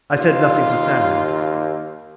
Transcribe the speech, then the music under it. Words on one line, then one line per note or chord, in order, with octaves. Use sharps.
I said nothing to Samuel.
D#2 F4